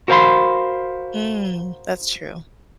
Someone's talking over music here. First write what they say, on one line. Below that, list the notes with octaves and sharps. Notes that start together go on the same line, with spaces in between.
Mm, that's true.
F#4 A#4 C5 F5 B5 C6